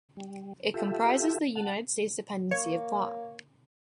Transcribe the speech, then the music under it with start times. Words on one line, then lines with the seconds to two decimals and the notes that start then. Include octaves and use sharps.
It comprises the United States dependency of Guam.
0.17 G3
0.74 F4 G4 A4 E5
1.56 F#5 A5
2.51 A#3 C#5